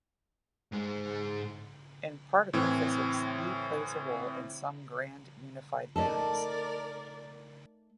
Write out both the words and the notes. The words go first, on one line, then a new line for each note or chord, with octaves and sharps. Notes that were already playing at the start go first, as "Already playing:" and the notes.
In particle physics, E plays a role in some grand unified theories.
G#2 G#3
A2 E3 C4
A3 D#4 A4 A#4 D5